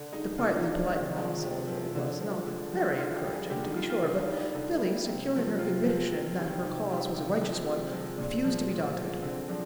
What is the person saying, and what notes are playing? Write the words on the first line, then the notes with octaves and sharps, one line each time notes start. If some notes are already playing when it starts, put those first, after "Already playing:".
The quietly polite monosyllable was not very encouraging, to be sure; but Billy, secure in her conviction that her cause was a righteous one, refused to be daunted.
Already playing: D3 D4
G#3 D#4
D3 F4
D#4
G#3
D4
C3
F3 G#3
C3
F3 G#3
D3
F3 G#3
D3
F3 G#3
D#4
D3 F4
G4
G3
G#4
D3 G4
D#4
G3 F4
F4
D3 F4
D#4
G3 D4
D#4
D3 D#4
G3
C3
F3 G#3
C3 F4
F3 G#3
C3
D#3 G3
C3 D#4
D#3 G3
C3
F3 G#3
C3
F3 G#3
A#2 D4
F3 G#3
A#2
F3 G#3
D3 C4
F3 G#3 D4